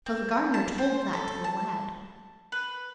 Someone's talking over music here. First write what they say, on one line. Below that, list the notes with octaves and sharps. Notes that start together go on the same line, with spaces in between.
So the gardener told that to the lad.
C4
A5
C5
A4
A5
B4